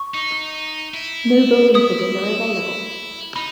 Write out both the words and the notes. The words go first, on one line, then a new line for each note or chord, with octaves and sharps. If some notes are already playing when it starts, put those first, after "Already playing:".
No bowling figures are available.
Already playing: C#6
D#4
E4
E4 D#6
D#4 B5